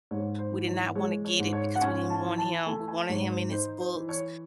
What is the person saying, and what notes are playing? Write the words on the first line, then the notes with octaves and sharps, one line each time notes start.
We did not wanna get it because we didn't want him we wanted him in his books."
G#2 C#5
C5
E3
C#5
G#3 C#5
C#5
G#2
C#5
F#5
C#4 G#5
A5
E3
A5
A3 G#5
G#5
G#2 C#5
C5
D#4 C5
C5
E3
C#5